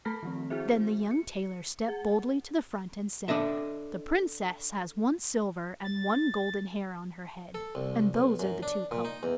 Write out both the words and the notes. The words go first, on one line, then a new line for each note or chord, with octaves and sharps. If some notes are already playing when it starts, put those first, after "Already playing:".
Then the young tailor stepped boldly to the front and said, 'The Princess has one silver and one golden hair on her head, and those are the two colours.'
A3 A4 A5 B5 F6 B6
D#3 F3 C4
E4 F#4 G#4 C5 E5
C#7
G#4 F#5
D4 A4 D#5 E5
A6
A4
C2
B1
F#2
D4
A#2
D#4
E2